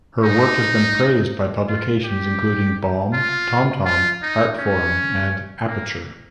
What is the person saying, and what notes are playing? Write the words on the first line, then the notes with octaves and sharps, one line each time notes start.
Her work has been praised by publications including "Bomb", "Tom Tom", "Artforum", and "Aperture".
D#4
F4
G4
F4
F4
D#4
C#4
A#3